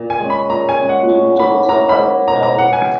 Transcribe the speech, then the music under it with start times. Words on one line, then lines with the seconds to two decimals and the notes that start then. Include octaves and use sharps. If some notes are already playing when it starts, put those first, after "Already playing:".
We have moved to an hotel higher up the valley.
Already playing: A#2
0.10 G#5
0.19 G#3 C#4
0.30 B5
0.49 A#2 A#5
0.69 G#5
0.79 G#3 C#4
0.89 F#5
1.09 F#3
1.39 A#3 E4 B5
1.69 F#3 A#5
1.89 B5
1.99 A#3 E4
2.28 B2 A#5
2.43 A#5
2.58 G#3 B3 F#5
2.73 G#5